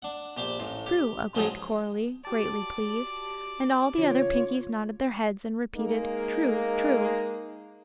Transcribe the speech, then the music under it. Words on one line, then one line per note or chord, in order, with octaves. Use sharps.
"True," agreed Coralie, greatly pleased, and all the other Pinkies nodded their heads and repeated: "True--true!"
D4 F#5
A#1 G4 C5 D5
A1 A2 C6
G4
A1 F3 F#3 G#3 D#4 G#4
F#4 G4 D5 A5
C#3 E3 C#4 F4 C#5
G#3 A#3 D#4